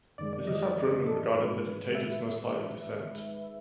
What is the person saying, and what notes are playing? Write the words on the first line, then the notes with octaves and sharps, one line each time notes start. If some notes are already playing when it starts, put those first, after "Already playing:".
This is how Drumann regarded the dictator's most likely descent.
F#2 D#3 G#3 D5
D5
D#5
D5
A4
G#2 D#3 G#3 B4
E5